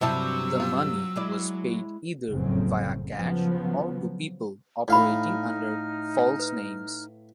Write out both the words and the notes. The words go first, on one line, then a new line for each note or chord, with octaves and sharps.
The money was paid either via cash or to people operating under false names.
G2 C3 F#3 G3 C4 E4 A5 E6
C4 F4
G#3 E4 D5
F#1 F2 A2 C#3 F#3 C4
C#3 F3 F#3 B3
A2 D#4 D5 F5 B5 F6
B4